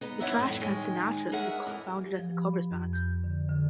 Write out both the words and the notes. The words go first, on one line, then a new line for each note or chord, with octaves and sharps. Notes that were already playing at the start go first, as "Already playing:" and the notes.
The Trashcan Sinatras were founded as a covers band.
B3 D#4 B4
C3 E3 B3 C#5 E5 F#5
F2 A2 G3
D#3 G#3 C#5
G#3 G#4 A#4 C#5 E5 F#5
F2 E3
G4
F3
B5
F2
G6
D3
D3